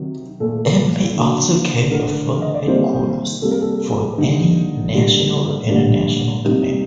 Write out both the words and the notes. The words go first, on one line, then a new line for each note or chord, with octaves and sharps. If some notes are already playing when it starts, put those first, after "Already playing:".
It may also carry a full headquarters for any national or international command.
Already playing: C3 D#3 F#3
A#2 A3 A4
D3 F#3 A#3
D3 A3 A#4
D#5
D5
C3 D#3 G3 A#3 C5
C3 G3 A#3 A4
A#4
A4
D3 G3 A#3 D#4
D3 G3 A#3
D3 G3 A#3 D4
C3 G3 A#3 D#4